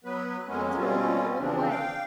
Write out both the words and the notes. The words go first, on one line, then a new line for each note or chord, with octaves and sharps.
'And thrown them all away.
F#3 B3 B4
F2 F#3 G#3 A#3 B3 C#4
B2 G3 C4 C#4 F4
E2 C#3 E3 F3 C4 D4
F5 G5